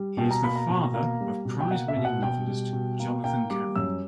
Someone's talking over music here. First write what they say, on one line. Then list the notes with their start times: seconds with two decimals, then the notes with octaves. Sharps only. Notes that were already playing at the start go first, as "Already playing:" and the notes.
He is the father of prize-winning novelist Jonathan Carroll.
Already playing: G3
0.17 B2 G5
0.31 A#5
0.43 A#3 B5
0.56 A#5
0.69 B2
0.94 A#3
1.21 G3
1.45 B2
1.60 G5
1.71 A#3 F#5
1.88 E5
1.97 B2
2.05 F#5
2.23 B2 G5
2.47 G3
2.73 B2
3.00 A#3
3.24 A#3 G5
3.50 G3 D6
3.75 F#2 E6